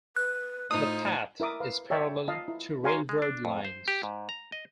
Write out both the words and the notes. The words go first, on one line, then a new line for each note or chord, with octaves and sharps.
The path is parallel to railroad lines.
B4 F#6
A2 D#4 F4 C5 D#6
E4 A#4 E5 D6 D#6
B4 F5
C#5 D5 E5 G5 A5
F4 D#5 F5 A5
E4
F#4 C#5 F5 G#5 A#5 C6
G#3
D4
F2
C5
G4
G#2
A#5
D#5